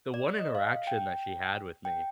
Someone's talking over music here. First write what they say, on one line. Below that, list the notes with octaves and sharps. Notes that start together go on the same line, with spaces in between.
the one interaction that she had with me
D5
D#5
F5
G5
G5